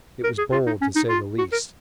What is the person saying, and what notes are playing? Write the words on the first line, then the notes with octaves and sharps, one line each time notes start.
It was bold, to say the least.
A#4
G#4
F4
D#4
C#4
D#4
F4
F#4
A#4